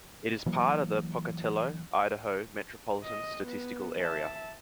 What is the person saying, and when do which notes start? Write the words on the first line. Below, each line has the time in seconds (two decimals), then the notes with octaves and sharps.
It is part of the 'Pocatello, Idaho Metropolitan Statistical Area'.
0.46 E3 F#3 A#3
3.04 D#5
3.45 B3
4.01 E5 A5